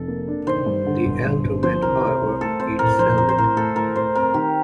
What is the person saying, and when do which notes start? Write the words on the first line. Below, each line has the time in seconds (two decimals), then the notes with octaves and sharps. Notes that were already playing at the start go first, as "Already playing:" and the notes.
The Alderman, however, eats salad.
Already playing: F1 A4
0.08 A#3
0.28 D4
0.47 D#3 C5
0.66 G2
0.86 D3
1.05 G1
1.25 G2
1.44 G1
1.63 F3 C5
1.82 C2 A#4
2.02 C3
2.22 C2
2.41 A3 A4
2.60 C4 C5
2.79 A2 A#4
2.99 A#1 C5
3.18 C4 A#4
3.29 C5
3.38 A2 A#4
3.57 A3 A4
3.76 A2 A#4
3.95 A3 C5
4.15 C4 A#4
4.34 D#3 G4